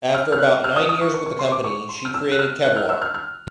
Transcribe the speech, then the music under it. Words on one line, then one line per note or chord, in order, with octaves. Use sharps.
After about nine years with the company, she created Kevlar.
F6
F6
F#6
F6
D#6
D#6
C#6
C#6
C#6
C6
D6
C#6
C6
F6
E6
F#6
F6
F#6
F6
E6
F6
F6